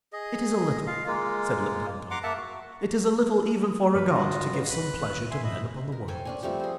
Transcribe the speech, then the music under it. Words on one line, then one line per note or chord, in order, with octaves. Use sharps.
"It is a little," said Limpang-Tung, "it is a little even for a god to give some pleasure to men upon the Worlds."
G#4 D#5
F4 F5
G#3 A#3 F4
F#5 A#5 C6 D6
A#3 E5 F#5 A5
F#4
G2 E3 F3 B4
D3 G3 D4 F4 F#4 D#5
B4 C#5
C2 B4 F#6
E5 G#5 C6
G#2 D#5 E5 B5
A#4
A4 C5 G5 G#5
C#4 D4 G#5
F3 G3 A3 C4
G#4 C5